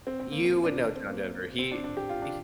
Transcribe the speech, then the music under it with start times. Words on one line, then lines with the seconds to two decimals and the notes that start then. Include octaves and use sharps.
You would know John Denver. He h
0.07 C4
0.20 C4
0.32 A#3
0.45 C4
0.64 D4
0.83 D4
0.95 C4
1.08 A#3
1.59 C4
1.71 D4
1.84 D4
1.97 G4
2.09 F4
2.22 D4